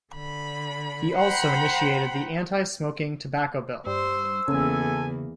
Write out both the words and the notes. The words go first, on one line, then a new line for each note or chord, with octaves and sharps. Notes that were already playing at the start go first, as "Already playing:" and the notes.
He also initiated the Anti-Smoking Tobacco Bill.
D3 B5
C5 F#5 G5 A#5 B5
G2 G3 C5 E6
E2 C#3 A#3 A4 G#5